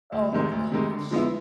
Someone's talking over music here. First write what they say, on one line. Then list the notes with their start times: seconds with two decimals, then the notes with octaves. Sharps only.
Oh my gosh.
0.12 D2
0.32 C3 D#3 G#3
0.52 D2
0.71 C3 D#3 G#3
0.91 D3
1.11 F3 G#3 B3 E4